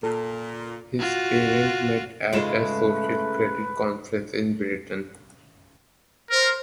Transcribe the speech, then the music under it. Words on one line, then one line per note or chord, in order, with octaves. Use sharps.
His parents met at a social credit conference in Britain.
A#2 A4
F4 F#4
G#2 C#3 G#3 A3 F4 B4 E7
A#4 C5 F6